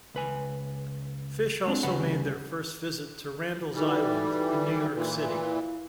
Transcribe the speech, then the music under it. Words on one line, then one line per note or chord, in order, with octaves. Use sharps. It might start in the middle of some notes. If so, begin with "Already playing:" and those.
Phish also made their first visit to Randall's Island in New York City.
C#2 B4 G#5
G#3 C4 D4
D2 C#3 G3 B4 F#5 B5
E3 G3 D#4 F#4 A4
A#2 E3
E4 F5